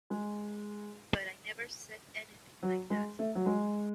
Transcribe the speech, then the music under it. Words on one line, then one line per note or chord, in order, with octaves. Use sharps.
But I never said anything like that.
G#3
F#3
G#3
A3
F#3
G#3